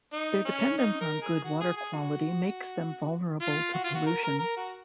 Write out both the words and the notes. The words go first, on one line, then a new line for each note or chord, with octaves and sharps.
Their dependence on good water quality makes them vulnerable to pollution.
D#4
C#4
D#4
A#4
G#4
F#4
G#4
G#4
F#4
F4
F#4
F4
F#4
A#4
A#4
A#4
F#4